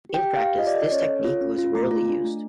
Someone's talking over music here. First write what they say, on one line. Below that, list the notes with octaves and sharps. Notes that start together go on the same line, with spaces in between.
In practice this technique was rarely used.
G4 G5
G4
F5
G4
F4 D#5
D5
A4 D#5
C#4 C#5
A4
F4
C#4
F4
A3
F4
D4
A3